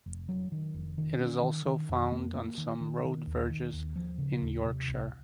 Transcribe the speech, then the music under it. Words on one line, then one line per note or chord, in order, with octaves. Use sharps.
It is also found on some road verges in Yorkshire.
F1
F#3
D#3
F1
D#3
C#4
D#3
D#3
F2
A#3
A#3
D#3
D#3
D#3
D#2
D#3
D#2
F3
C#3
D#2
C3
C2